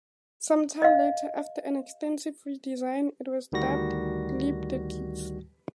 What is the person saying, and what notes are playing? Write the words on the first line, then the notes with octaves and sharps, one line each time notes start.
Some time later, after an extensive re-design, it was dubbed, "Leap The Dips".
D#5 F5
D2 D#3 G3 F#4 A#6